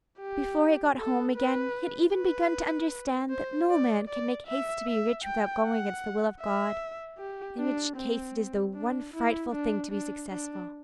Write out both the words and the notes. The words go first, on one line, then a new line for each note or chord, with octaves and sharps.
Before he got home again, he had even begun to understand that no man can make haste to be rich without going against the will of God, in which case it is the one frightful thing to be successful.
G4
A4
B4
B4
C5
D5
D5
E5
E5
G5
F#5
E5
G4
D4
C4
D4
E4
D4
D4
D4